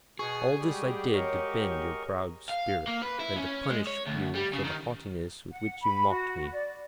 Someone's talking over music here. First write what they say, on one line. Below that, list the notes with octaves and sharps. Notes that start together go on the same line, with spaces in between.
All this I did to bend your proud spirit, and to punish you for the haughtiness with which you mocked me.'
B2 G#4 G#5 C#6
G3 G#3 F#4 G4
A#4 C#5 D#5 C#6
F5
A#3
B4
E4
C#4
G#3
C#5
D2
G3
C#3
D#3
F#5
B5
F#4
D5